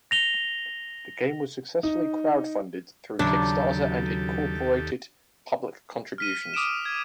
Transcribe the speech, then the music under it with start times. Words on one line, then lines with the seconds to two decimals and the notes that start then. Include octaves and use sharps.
The game was successfully crowdfunded through Kickstarter and incorporated public contributions.
0.11 A#6 F7 G7
1.83 D#4
3.19 D#2 C#3 F#3 D4 G4 A4 E5
6.18 F6 B6 D#7
6.54 D6 D#6 D7 E7
6.85 G#6